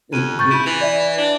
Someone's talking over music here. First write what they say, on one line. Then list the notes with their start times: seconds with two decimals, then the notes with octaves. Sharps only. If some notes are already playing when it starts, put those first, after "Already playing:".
and there
0.13 F2 D#7
0.39 C#6 G6 A6
0.51 E4 B5 D#7
0.66 E3 F7 F#7
0.81 D5 E5
1.18 D4